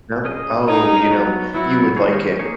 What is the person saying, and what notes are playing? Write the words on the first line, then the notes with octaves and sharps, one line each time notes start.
No? Oh, you know, you would like it.
C#4 G#4 D#5
C#4 D#4 G#4 D#5
F#3 B3 F#4 C#5
F#3 B3 E4 F#4 C#5
D#3 A#3 D#4 G#4 C#5
A#3 D#4 G#4 C#5